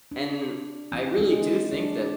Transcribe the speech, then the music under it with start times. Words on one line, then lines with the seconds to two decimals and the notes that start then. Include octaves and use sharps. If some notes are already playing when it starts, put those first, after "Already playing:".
And I really do think that
0.11 D4
0.92 E3 C4
1.17 E3 G#3 D4 G#4
1.73 D4